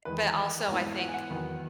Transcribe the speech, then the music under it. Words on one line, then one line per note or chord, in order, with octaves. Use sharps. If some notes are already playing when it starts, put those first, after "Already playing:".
but, also, I think
E2 D#3 G#3 B4
G#2 E3 B3
F#5
G#5
F#5
E2 D#3 F#3 B3